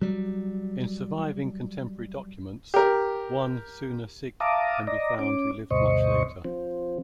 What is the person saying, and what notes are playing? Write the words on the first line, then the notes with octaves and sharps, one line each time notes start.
In surviving contemporary documents one "Sune Sik" can be found who lived much later.
F#3 G3
G4 A#4
E5 F5 A5 A#5 D6 D#6
D5 D#5 A#5
C#4 D6
D2 G2 B2 C5 D#5 C#6
F3 C4